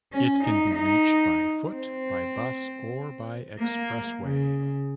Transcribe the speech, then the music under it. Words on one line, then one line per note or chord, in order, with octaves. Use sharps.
It can be reached by foot, by bus or by expressway.
C#4
D#4
D#4
C4
A#3
C#3